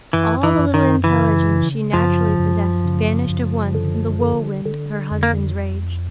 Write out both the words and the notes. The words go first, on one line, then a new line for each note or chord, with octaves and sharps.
All the little intelligence she naturally possessed vanished at once in the whirlwind of her husband's rage.
F#2 E3
E3
F#2
D#3
C#3 E3
C#3
F#2 F3
F#2
C#3
F#2
D3
D3
D3
F2
A#3